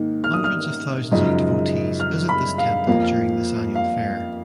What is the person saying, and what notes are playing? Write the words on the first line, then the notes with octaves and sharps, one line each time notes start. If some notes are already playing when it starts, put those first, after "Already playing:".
Hundreds of thousands of devotees visit this temple during this annual fair.
Already playing: G#2 D#3 A#3
F6
D#6
F6
F#2 C#3 F3 G#3 D#4
F6
B5
F5
F2 F3 A#3 F5
F5